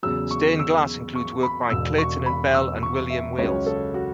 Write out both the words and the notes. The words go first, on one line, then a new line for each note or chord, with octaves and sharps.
Stained glass includes work by Clayton and Bell and William Wailes.
E2 C#3 F#3 E6
C#6
E6
C#6
B5
E1 E2 B2 E6
C#6
B5
E6
C#6
E5
C#2 C#3 F#3 C#4 C#5
A4
F#4